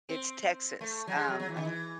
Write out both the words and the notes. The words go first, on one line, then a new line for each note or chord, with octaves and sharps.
It's Texas, um, I th
C4
A3
F#3
G#3
F#3
F#3
E3
D#3
E3